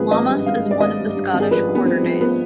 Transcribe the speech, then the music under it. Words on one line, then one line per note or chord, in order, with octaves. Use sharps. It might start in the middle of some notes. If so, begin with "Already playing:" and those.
Lammas is one of the Scottish quarter days.
Already playing: G#1 F3 G#4 B4
G#1 D#5
G2
G#1 F5
G2
D5
G#1 D#5
G2
G2
G#1
G#4
F3 B4
G2
B3
F3 C4
F3
F3 B3